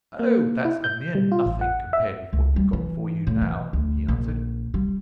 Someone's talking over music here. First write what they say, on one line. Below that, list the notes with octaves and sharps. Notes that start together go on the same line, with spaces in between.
"Oh! that's a mere nothing, compared with what you've got before you now," he answered.
A#3
E4
G6
G3
F4
A1
F#5
E5
C#2
G3
E3
A2
E3
D2
A#1
G3